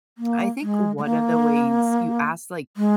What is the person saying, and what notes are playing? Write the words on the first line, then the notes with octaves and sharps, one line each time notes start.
I think one of the ways you ask, like,
A#3
G#3
G#3
A#3
G#3